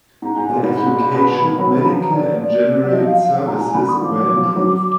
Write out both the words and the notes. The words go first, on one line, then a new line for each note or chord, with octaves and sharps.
The education, medical and general services were improved.
G#2
A#5
G#2 G#5
A#2
G#2 B5
G#2
A#2
B2
B2
D#3
F#3
F#3
F3 A#5
D5
D5
F#3
F3 D#5
F5
F5
F#5
A#2 A#5
A#2 G#5
D3 B5
D#3 D#6
F3 D6
F#3
F3
F#3